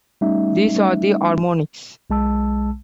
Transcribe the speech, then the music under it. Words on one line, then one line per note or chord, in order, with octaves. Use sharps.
These are the harmonics.
G3 A3 C#4 D#4 E5
B1 G#3 A5 E6